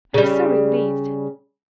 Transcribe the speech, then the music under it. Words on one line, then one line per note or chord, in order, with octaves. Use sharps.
I was so relieved!
C#3 G3